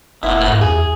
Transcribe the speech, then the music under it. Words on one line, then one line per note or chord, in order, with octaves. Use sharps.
on a
F1 B3 E4
G#2 A#3
E2 G#4